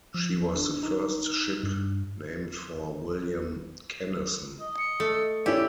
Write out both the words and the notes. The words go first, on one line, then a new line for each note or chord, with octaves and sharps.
She was the first ship named for William Kennison.
F3
D4
D#4
G2
D#5
C#7
A3
C#4 E4 G4 D5 E6